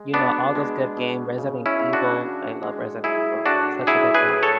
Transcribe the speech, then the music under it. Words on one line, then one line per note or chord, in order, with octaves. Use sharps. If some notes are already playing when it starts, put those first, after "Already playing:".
you know, all those good games, Resident Evil- I love Resident Evil, such a good game.
Already playing: G#3
B2 B3 D4
G#3
B2
C#3
C#4 E4
C#3
D4 F#4
E3
G#3
F#3 E4 G#4
A2 D4 F#4
F#3 E4 G#4
G#4 B4
A2
A4 C#5